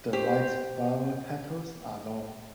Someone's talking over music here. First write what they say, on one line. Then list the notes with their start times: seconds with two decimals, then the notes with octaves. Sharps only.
The white flower petals are long.
0.13 G4 C5